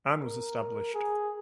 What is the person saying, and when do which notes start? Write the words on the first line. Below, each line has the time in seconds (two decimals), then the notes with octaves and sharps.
Anne was established.
0.20 A#4
0.94 G#4